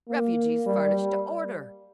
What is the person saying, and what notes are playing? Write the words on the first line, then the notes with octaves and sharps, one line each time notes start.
Refuges furnished to order.
A#3
G3